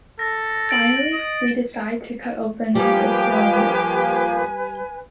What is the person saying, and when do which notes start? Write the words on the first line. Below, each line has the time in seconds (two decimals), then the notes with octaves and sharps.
Finally...we decided to cut open the cylinder.
0.19 A4 A#6
0.69 A6 D7 F#7
1.12 D#5
2.75 F3 G3 A#3 G4 B4 G#5